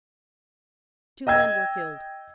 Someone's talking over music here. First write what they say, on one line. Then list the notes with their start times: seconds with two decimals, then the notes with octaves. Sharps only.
Two men were killed.
1.27 D#5 G5 E6 G#6